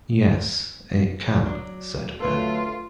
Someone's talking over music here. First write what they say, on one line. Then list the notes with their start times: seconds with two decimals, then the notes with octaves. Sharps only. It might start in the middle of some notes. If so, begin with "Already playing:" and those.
"Yes, it can," said Ben.
1.46 F#3 D4
2.20 D3 F#3 A3 F4 A4 B4 C#5